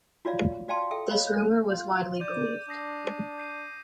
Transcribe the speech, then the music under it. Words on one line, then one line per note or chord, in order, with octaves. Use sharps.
This rumor was widely believed.
F4 F#4 C#5 D5 E5 F5
F#4 D5 F5 G5 A5 C6
G#4 A4 E5 G5
C#5 D#5 F5 B5
F4
D5 D6 G6 D#7
D4 D#6 A#6 C7
G6 C7 D#7